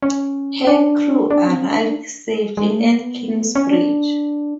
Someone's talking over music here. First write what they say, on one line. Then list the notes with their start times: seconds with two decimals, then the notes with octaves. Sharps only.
Her crew arrived safely at Kingsbridge.
0.03 C#4
0.67 D4
1.31 D4
1.48 C4
1.63 C#4
1.72 D4
1.79 D#4
1.87 D4
2.57 G#3
2.69 A3
2.80 A#3
2.92 B3
3.55 C#4
3.71 D4